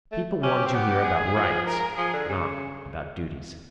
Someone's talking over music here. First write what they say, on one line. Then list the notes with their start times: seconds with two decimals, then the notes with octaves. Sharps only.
People wanted to hear about rights, not about duties.
0.12 A3
0.43 C#4 G4
0.66 C4
0.74 B3 G4
1.05 G#4
1.36 F3
1.67 A#4
1.97 F3 G#4
2.14 D3
2.29 C#3